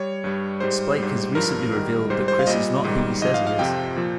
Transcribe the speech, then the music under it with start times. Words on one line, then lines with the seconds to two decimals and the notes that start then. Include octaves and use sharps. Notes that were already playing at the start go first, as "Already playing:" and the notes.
Spike has recently revealed that Chris is not who he says he is.
Already playing: G3 C#5
0.24 G2 G3
0.60 G#2 G3 C5
0.98 G#2 G3
1.35 G2 F3 A#4
1.73 G#2 D#3 G3
2.10 G#2 G3 C5
2.28 C5
2.39 F5
2.47 A#2 G3 D#5
2.84 G#2 D#3 G3
3.22 G#2 F3 D#5
3.34 F5
3.47 F5
3.59 F2 C3 F3 G5
3.96 A#2 F3